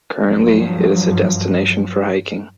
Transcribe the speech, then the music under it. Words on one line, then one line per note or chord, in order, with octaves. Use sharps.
Currently, it is a destination for hiking.
G2 F3 F#3